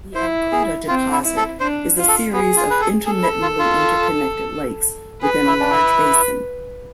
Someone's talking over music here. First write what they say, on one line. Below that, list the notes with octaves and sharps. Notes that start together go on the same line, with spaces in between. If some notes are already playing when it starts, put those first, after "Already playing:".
The Alcoota deposit is a series of intermittently interconnected lakes within a large basin.
E4 C5
G#4
C4 F4
E4
E4
A4
D4 C5
F4
A4
B3 G#4
F4
B4
A4
G#4 A4
E4
F4
F4
G#4 B4
E4
D4
E4